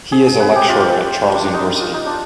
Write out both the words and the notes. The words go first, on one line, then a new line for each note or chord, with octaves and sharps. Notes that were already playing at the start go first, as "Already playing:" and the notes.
He is a lecturer at Charles University.
G#4
G#4
B4
G4
F4
D4
D4
D#4
F4
D#4
D4